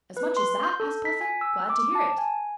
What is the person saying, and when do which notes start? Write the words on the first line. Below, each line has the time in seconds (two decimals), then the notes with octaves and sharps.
"As much as that?" asked Puffin, "Glad to hear it."
0.17 B4
0.37 C6
0.63 G6
0.80 A4
1.05 B6
1.21 G#5
1.41 E6
1.70 D6
1.95 A5
2.18 G#5